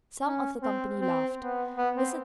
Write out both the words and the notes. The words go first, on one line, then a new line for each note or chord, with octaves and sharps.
Some of the company laughed--Mrs.
C#4
C4
C4
B3
B3
C4